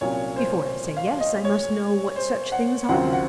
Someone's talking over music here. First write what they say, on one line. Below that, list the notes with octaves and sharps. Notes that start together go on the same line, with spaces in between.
"Before I say yes I must know what such things are."
C2 A#2 F#3 C#4 C#5
C5
F5
D#5
C#5
C5
F#5
D#2 C#3 F#3 C4 F4 F#5
F#5